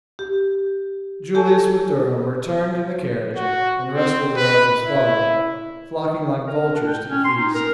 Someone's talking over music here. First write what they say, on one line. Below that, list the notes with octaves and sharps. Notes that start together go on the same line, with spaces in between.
Julius with Durham returned in the carriage, and the rest of the relatives followed, flocking like vultures to the feast.
G4
G4 A4 G#5 A5
F#4
C4
B4
E4
A#4
D4
G5
C#4
C6
D#4
A#4